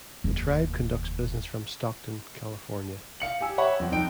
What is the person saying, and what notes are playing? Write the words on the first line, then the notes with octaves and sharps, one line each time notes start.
The tribe conducts business from Stockton, California.
F1 D#2
F5 C#7 F#7
G4 G#5 E6
C#5 E5 F#5 B5 C#6
F2 C4
F2 D#4 G5 D7